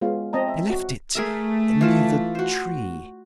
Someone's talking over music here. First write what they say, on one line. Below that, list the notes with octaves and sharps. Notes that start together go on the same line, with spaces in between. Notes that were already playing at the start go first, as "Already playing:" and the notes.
"I left it near the tree."
G#3 B3 F4 C#5 F5
C4 D#5 A5 A#5
E5
F#4
A3 G#4 A#4 E5
E3 F4 A5
F#4 C5